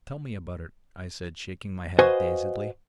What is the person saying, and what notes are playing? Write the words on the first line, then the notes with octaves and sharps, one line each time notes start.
"Tell me about it," I said, shaking my head dazedly.
F#4 B4 C5 D#5 F5 G#5